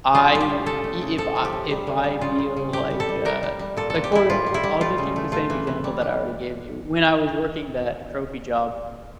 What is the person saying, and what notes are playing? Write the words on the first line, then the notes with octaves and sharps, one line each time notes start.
I w e if I if I feel like, uh, like for I I'll just use the same example that I already gave you. When I was working that trophy job
G3 F4
G3 F4
G4
A2
C#3 A4
A3
C#3
F3 A4
F3
G4
A2
G3
D3
G3
C#3 F4
C#3
C#3
A2 G4
G3
A4
G3
G3 A#4
G3
G3
A#2 A4
A4
A#2
G4
G3 E4
A2 F4
G3
E4
G3
A3 F4
C#3
A3
A3 F4
E3
E3
G3
G3